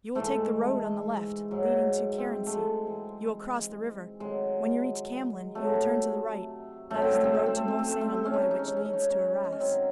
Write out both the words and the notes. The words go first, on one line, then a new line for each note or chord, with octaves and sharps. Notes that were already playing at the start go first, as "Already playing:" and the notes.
"You will take the road on the left, leading to Carency; you will cross the river; when you reach Camblin, you will turn to the right; that is the road to Mont-Saint-Eloy which leads to Arras."
G#2 E3 G#3 A3
G#2 F#3
C4
A3
G#3
G#2 E3 G#3
C3 D#3 F#3 G#3
C3 F#3 A3
F#2 D#3 F#3 A3
C4
A3
C4
A3
C4
A3
C4
A3
C4
A3
C3 E3 G#3 C#4
D#4
C#4
D#4
C#4
D#4
C#4
D#4
C#4
D#4
C#4
D#4
C#4
F#2 D#3 F#3 C4